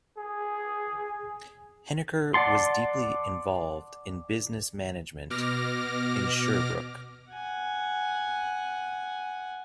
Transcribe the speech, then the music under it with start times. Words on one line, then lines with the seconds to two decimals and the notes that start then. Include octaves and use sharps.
Heneker was deeply involved in business management in Sherbrooke.
0.17 G#4
2.34 D5 F#5 A5 C6
5.30 B2 D6 F6 A#6
7.31 F#5 G#5